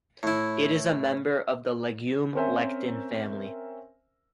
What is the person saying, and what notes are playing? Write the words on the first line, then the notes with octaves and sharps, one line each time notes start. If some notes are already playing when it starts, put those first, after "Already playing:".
It is a member of the legume lectin family.
A2 E4
C4 C#4 A#4 C5 E5 G#5